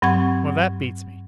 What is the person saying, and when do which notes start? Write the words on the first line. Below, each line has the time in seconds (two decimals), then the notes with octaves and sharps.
Well, that beats me.
0.02 G2 F#3 C4 F#5 C#6 G#6